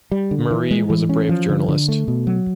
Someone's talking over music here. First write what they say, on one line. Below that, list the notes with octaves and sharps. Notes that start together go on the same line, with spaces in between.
Marie was a brave journalist.
G3
D3
E3
G#3
E3
C#4
F3
D3
D3
A3
B2
F#3